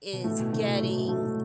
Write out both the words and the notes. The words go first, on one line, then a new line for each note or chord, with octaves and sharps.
is getting
B2
A2 A3
B2
C3 A3
B2
A2 F#3
A3